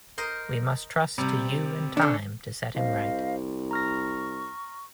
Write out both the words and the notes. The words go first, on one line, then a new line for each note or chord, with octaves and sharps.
We must trust to you and time to set him right.
A#4 C5 D#5
C3 G3 C4
D3 C#4 D4
C2 C5 D#5 F5
A#5 C#6 F6 A#6